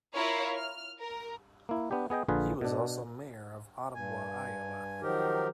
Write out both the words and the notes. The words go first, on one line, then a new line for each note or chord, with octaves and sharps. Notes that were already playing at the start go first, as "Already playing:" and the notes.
He was also mayor of Ottumwa, Iowa.
E4 F4 A#4 C#5 F5
F6
A#4
A#3 E4
B3 D4 G4
B3 G#4 D#5 G5
A#1 D3 F4 G#4 B4
B2 D4
G2 G#5
D#3 F3 F#3 D#4 G4 A#4